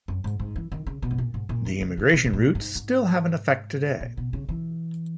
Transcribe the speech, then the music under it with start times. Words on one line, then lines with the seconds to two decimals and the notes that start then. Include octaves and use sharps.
The immigration routes still have an effect today.
0.08 F#2
0.24 G#2
0.40 G#2
0.56 E3
0.72 D#3
0.87 C#3
1.02 B2
1.11 G#2
1.18 A#2
1.34 G#2
1.49 A#2
1.65 D#3
1.81 C#3
1.97 C#3
2.13 B2
2.25 B2
2.33 A#2
2.55 G#2
2.75 G#2
4.01 A#2
4.17 B2
4.33 C#3
4.49 E3